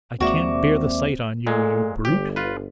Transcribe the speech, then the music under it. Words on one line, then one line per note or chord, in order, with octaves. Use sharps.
I can't bear the sight on you, you brute.'
D#2 G#3 A#3 C4 F#4 D5 E5 D6
A#2 G#3 A3 A4
G1 G4
F4 B4